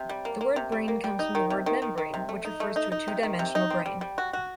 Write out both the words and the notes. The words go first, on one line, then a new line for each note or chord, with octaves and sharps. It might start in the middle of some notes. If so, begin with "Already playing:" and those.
The word brane comes from the word "membrane" which refers to a two-dimensional brane.
Already playing: C3
G3
A#3
A#3
C3
G3
A#3
G3
D#4
D#3
C3
D#3
D#3
D#3
C3
A3
D#4
A3
D#4
D#4
C3
D#3
C3
D#4
C4
G3
G3
F#4
F#4